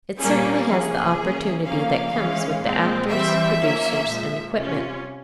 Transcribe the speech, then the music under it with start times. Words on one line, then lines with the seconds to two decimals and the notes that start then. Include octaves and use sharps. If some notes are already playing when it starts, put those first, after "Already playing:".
It certainly has the opportunity that comes with the actors, producers, and equipment.
0.18 A#2 G3 A#3 C#4 G#4
0.67 C3 F3 A#3 C#4 G#4
1.15 E3 A#3 C#4
1.64 C#3 F3 A#3 C#4 F5
2.13 E3 G#3 C#4
2.61 A#2 G#3 C4
3.09 E3 G3 C4 E5
3.59 F3 A#3 C#4
4.06 A#2 F3 G#3
4.55 C3 G3 C#4 F4